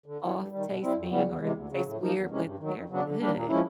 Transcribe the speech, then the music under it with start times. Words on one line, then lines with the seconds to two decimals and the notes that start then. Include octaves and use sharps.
off tasting or it tastes weird but they're good.
0.06 D3
0.22 G3 B3 E4
0.36 G2
0.51 D#3 G3
0.66 B2
0.81 G3 C4 E4
0.95 F2
1.10 C#3 E3 G3 B3
1.25 E2
1.40 C3 E3 G#3
1.54 D2
1.69 C#3 F#3
1.85 A2
2.00 F3 A#3 D#4
2.15 E2
2.29 C3 E3 G#3 C#4
2.44 G2
2.59 D#3 F#3
2.74 F2
2.89 C#3 F#3 B3 D4
3.04 D3
3.19 G3 A#3 D4
3.33 A#2
3.48 F3 G#3 C#4 E4